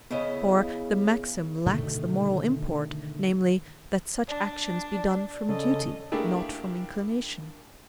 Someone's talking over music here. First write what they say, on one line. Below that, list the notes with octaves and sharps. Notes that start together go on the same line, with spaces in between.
For the maxim lacks the moral import, namely, that such actions be done from duty, not from inclination.
C#3 B3 E4 G#4 C#5 D#5
B2 D3 D#3 A3
D4
C#3 A4 D#5
A3 A#3 D4 E4 G4 G#4